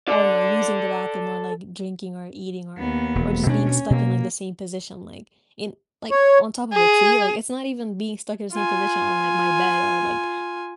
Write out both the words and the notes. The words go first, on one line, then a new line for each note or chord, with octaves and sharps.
I don't know, using the bathroom or, like, drinking or eating or or just being stuck in, like, the same position, like, in like, on top of a tree, like, it's not even being stuck in the same position on, like, my bed or, like,
A4 D5
D#2 B3
E1
B2 C#4 D4
B2 A#3
C#5
G#4
F4 G#5